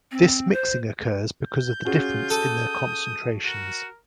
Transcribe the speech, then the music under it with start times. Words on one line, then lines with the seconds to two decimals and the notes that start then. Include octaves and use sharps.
This mixing occurs because of the difference in their concentrations.
0.12 C4
0.53 C5
1.45 G6
1.85 C#4 F4 F#4 G#4
2.30 A4 D#6
3.45 F#4 A#4